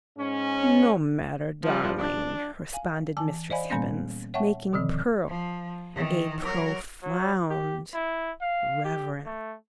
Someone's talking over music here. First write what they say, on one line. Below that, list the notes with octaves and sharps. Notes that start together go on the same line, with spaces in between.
"No matter, darling!" responded Mistress Hibbins, making Pearl a profound reverence.
G#2 C#4
F3 G3
D4
F5 G#5
E3 G#5 A5 D6
C5 D5 D#5 F5 G#5 B5
A#2 G3 A#3 B3 C#4
C#5 E5 F#5 G5 A5 C#6
B2 D3 D#3 F3 C4
F3
D#3 E3
F#3 A#4
F#3
G4
E4
F5
G4
A3